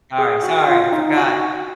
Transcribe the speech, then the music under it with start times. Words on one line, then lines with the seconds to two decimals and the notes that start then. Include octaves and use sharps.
Sorry, sorry, I forgot.
0.19 G#4
0.43 F#4
0.68 F4
0.93 D#4
1.18 F#4